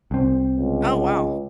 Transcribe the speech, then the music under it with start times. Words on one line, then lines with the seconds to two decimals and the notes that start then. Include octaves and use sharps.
Oh, wow.
0.11 C2 C4
0.57 C#2